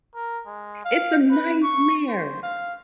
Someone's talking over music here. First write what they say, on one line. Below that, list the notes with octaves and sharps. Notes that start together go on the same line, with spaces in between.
It's a nightmare.
A#4
G#3
F5
B4
C#6
C5
F5